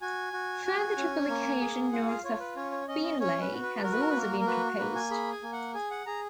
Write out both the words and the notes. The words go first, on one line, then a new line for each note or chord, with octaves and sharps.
Further triplication north of Beenleigh has also been proposed.
F#4 G#5
F#4
F#4
C#4
A#3
G#4
F4 F#5
F5
F4 C#5
B4
C#4 C#5
C#5
C#4 D#5
D#5
C#4 C#5
B4
F#4
B4
F#4 A#4
B4
A#4
B4
A#3 A#4
A#4
F#4 B4
A#3 B4
G#5
G#4 B5
G#5
A#3
F#5
G#4 G#5
F#5
G#4 A#5